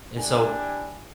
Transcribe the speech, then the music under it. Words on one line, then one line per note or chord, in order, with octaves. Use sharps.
And so,
D4 E4 G4 G#5